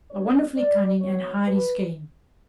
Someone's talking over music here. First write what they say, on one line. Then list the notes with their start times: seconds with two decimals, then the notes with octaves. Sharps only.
A wonderfully cunning and hardy scheme!
0.11 B2 G3 B3 D4 C#5
0.57 D5
1.01 G#2 D#3 F#3 B3 C#5
1.47 B4